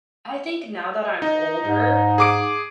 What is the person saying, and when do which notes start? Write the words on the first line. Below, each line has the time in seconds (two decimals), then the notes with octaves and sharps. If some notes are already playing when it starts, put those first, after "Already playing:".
I think now that I'm older,
1.22 D#4
1.65 G#2
2.18 G#4 D6 D7